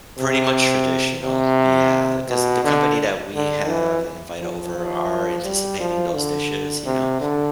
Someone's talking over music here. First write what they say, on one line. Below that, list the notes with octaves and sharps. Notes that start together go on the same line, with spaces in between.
Pretty much traditional. Yeah, 'cause the company that we have and invite over are anticipating those dishes, you know?
C3
C3
B2
D3
D3
E3
F3
F3
G3
F3
D3
C3
D3